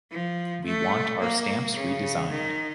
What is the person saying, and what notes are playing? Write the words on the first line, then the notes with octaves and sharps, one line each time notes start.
We want our stamps redesigned.
F3
A3
A#3
C#3
D#3